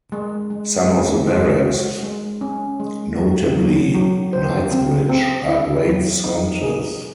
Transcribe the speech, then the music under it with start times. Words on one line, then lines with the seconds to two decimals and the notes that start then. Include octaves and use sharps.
Some of the barracks, notably Knightsbridge, are great centres.
0.12 G#3
0.50 G#3
0.89 G#3
1.27 G#3
1.65 F#4
2.03 G#3
2.41 C#4
2.80 G#3
3.17 F#3
3.56 F#3
3.95 F#3
4.33 C5
4.71 C4
5.09 C4
5.48 E4
5.86 F#3
6.24 D#4
6.62 G#4